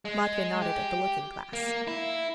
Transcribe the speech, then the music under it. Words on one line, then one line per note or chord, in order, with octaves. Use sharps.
Matvey nodded at the looking-glass.
G#3
G4
A#3
E4